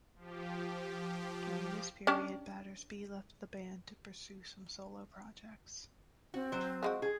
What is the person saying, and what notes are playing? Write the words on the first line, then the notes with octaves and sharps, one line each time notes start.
During this period Battersby left the band to pursue some solo projects.
F3 G4
C#4 D4 G4
C4 F#4
F#3 C5
F3 G#3 F#4
G#4